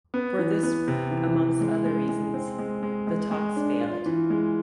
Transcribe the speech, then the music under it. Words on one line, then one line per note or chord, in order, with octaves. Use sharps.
For this, amongst other reasons, the talks failed.
B3
E3
B3
C3
E3
E3
G#3
G#3
G#3
C4
G#3
G#3
G#3
G#3
D4
F4
E3
G#3